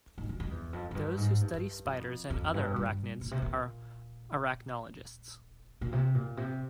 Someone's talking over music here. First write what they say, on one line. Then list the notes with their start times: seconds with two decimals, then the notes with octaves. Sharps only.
Those who study spiders and other arachnids are arachnologists.
0.18 G#2
0.29 G2
0.40 F2
0.51 E2
0.73 F2
0.91 F2
0.95 G2
1.17 G#2
1.41 G2
1.85 F2
2.30 F2
2.54 G2
2.76 G2
3.21 A#2
3.31 C3
3.42 A#2
5.81 A#2
5.92 C3
6.15 A#2
6.37 C3